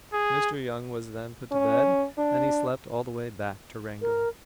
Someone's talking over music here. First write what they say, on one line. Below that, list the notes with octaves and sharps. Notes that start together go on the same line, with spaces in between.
Mr. Young was then put to bed, and he slept all the way back to Wrangell.
G#4
C#4
D4
A#4